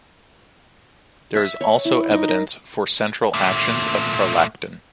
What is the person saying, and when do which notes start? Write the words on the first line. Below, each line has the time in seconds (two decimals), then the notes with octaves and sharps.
There is also evidence for central actions of prolactin.
1.35 E5
1.61 C#5
1.85 E4
2.11 D#4
2.29 A#4
3.34 A#2 A3